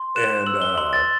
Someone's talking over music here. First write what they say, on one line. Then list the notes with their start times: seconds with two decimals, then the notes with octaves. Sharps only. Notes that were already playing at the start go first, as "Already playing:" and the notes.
And, uh,
Already playing: C6
0.16 F#6 E7
0.46 E6 F#7
0.62 G7
0.78 C6 F#7
0.93 A6